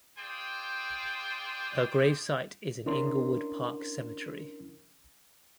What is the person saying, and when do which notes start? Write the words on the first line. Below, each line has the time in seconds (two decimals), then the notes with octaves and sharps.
Her gravesite is in Inglewood Park Cemetery.
0.17 F4 G#4 C5 D5 G5
2.86 C#4 D4 E4 A#4 C6